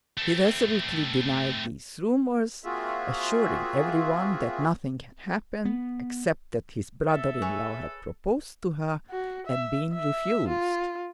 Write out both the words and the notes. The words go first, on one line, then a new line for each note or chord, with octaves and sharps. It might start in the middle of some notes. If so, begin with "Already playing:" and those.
He resolutely denied these rumors, assuring everyone that nothing had happened except that his brother-in- law had proposed to her and been refused.
A3 C4
A#3 C4 F4 F#4 G#4 E5
B3
A4 E5
G#4 B4 C#5
F#4
E5
E5
F4